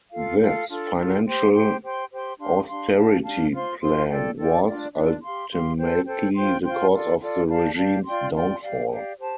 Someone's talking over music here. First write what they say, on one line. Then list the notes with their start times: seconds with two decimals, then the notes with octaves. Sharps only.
This financial austerity plan was, ultimately the cause of the regime's downfall.
0.12 F4 A4 F5
0.40 F4 A4 F5
0.69 D4 F4 A4
0.97 D4 F4 A4
1.26 G4 C5 G5 C6
1.53 G4 C5 G5 C6
1.82 G4 C5 G5 C6
2.10 G4 C5 G5 C6
2.38 D4 G4 F5 C6
2.67 D4 G4 F5 C6
2.95 D4 G4 F5 A5
3.23 D4 G4 F5 A5
3.51 F4 C5 F5 C6
3.80 F4 C5 F5 C6
4.09 F4 A4 D5 G5
4.37 F4 A4 D5 G5
4.66 D4 F4 D5
4.94 D4 F4 D5
5.22 G4 F5 C6
5.51 G4 F5 C6
5.78 A4 C5 G5
6.06 A4 C5 G5
6.34 F4 C5 G5 C6
6.63 F4 C5 G5 C6
6.92 F4 A4 D5
7.19 F4 A4 D5
7.48 G4 D5 F5 A5
7.76 G4 D5 F5 A5
8.05 F4 D5 G5 C6
8.33 F4 D5 G5 C6
8.61 G4 D5 F5
8.89 G4 D5 F5
9.19 G4 C5 A5